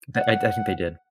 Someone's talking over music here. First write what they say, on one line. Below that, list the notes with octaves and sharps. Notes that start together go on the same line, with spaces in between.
D I I think they did.
F#5